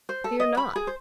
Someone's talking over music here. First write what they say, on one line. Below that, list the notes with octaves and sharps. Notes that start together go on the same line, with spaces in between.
"Fear not!"
C5
A4
D#5
B5
G#4
C5